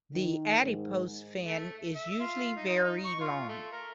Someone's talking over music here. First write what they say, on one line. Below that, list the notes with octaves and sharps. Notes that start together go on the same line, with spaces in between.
The adipose fin is usually very long.
D#3
G#2
A3
E5
F4
D#4
D#4
D#4
C#6
F4
A3
A#4